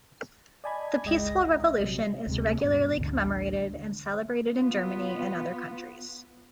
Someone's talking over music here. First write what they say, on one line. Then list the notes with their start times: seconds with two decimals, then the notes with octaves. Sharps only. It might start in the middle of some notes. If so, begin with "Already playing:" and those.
The peaceful revolution is regularly commemorated and celebrated in Germany and other countries.
0.64 D5 D#5 G#5 A5 B5 G#6
1.04 G1 C#2 G#3 D#5 G5 A#6
1.60 B1 D#5
1.80 A#1 C3 F#3 G3
2.27 D2 C3 G#3
2.64 G2 B2
2.97 A1 D2 D3
4.56 B3 F4